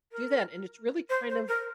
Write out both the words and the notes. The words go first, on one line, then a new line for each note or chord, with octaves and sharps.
do that, and it's really kind of,
A#4
C5
C5
A#4